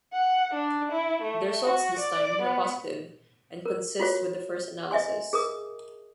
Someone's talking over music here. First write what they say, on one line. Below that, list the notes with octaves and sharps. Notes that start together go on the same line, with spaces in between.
The results this time were positive and consist with the first analysis.
F#5
D4
E4
A3
F#4
D5
B3
A#4
F4 F#4 C#5
D#5 E5 G#5 C6
G#4 A#4 D#6